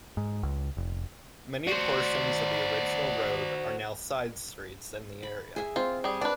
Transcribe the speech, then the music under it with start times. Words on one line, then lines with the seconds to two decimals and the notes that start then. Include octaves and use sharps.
Many portions of the original road are now side streets in the area.
0.17 G#2
0.43 C#2
0.77 F1
1.67 F#4 C5 D5
5.23 B5
5.56 G#4 E5
5.76 C4 F4
6.04 G3 G#4
6.21 D4 B4 D5